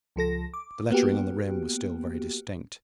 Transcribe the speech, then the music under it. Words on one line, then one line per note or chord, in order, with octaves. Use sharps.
The lettering on the rim was still very distinct.
C#2 F3 A4 A#6
D6
A#3 B3 F#4 G4